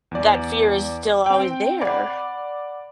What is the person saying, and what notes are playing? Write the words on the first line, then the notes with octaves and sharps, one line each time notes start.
that fear is still always there.
E2 D5
C4 G5
D5 F#5 B5